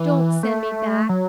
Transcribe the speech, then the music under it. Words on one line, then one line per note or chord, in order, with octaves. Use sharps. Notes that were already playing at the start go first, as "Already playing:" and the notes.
Don't send me back!
Already playing: E3
A3
F#3